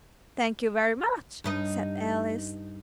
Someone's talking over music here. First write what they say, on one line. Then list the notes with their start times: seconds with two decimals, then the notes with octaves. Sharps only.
'Thank you very much,' said Alice.
1.44 G2 D#4 D#5